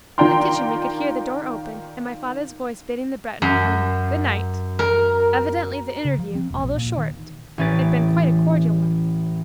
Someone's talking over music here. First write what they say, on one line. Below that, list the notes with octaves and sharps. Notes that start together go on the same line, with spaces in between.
From the kitchen we could hear the door open and my father's voice bidding the Breton a kindly "good night" Evidently the interview, although short, had been quite a cordial one.
D#3 F4 D5 G5 A#5 C6
F#2
A#4
C#3
F3
C4
E1
A#1
A#2
D#3
A1 E3 C#4 B4 A6 D7